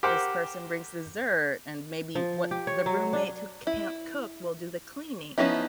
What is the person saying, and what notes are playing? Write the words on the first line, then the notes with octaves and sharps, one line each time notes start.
this person brings dessert, and maybe what the roommate who can't cook will do the cleaning.
G4 A#4 C5 F#5 G5
F3
G4
C#5
F#3
D4
E4
F3 B3 C#4 D#4 E4